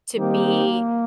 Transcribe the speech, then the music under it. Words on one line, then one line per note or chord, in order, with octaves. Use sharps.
to be
D#3 G3 A#3 C4 D#4 G4